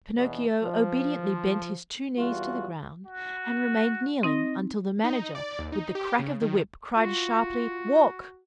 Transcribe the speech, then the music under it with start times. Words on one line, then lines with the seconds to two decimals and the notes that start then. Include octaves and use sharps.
Pinocchio obediently bent his two knees to the ground and remained kneeling until the Manager, with the crack of the whip, cried sharply: "Walk!"
0.15 E2 B2
0.61 F3
2.19 E2 G3 F4 F#4
3.06 F#4
4.23 C4 D#4 D#5
5.04 D#4
5.22 D#4
5.35 D5
5.59 D#2
5.72 D#4
5.95 G4
6.19 C#3
6.42 D#3
6.96 F4 F#4